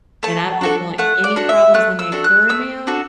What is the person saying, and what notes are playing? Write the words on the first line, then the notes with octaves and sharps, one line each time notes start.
and I don't want any problems in that caramel.
A3 A5
D4 F#4 A4
A3 F#5
D5
D4 F#4 A4
E5
A3 F#6
E6
D4 F#4 A4
F#6
A3 E6
D4 F#4 A4